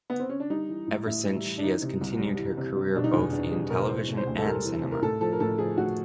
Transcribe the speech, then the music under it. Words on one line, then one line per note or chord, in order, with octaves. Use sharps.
Ever since she has continued her career both in television and cinema.
B3
C4
C#4
D4
G3 D#4
E3
A2
A2 E4
G3
E3
D4
E3 D#4
C3
C2
G3
E3
C3
G3
B2 D4
D#4
E2
E2 D4
G3 G#4
B2 A#4
E3 C5
C3
C5
D2
A4
G3 A#4
E3
C3
A#4
A2 A4
F3 A4
A#4
A2 A4
F3 G#4
A2 F#4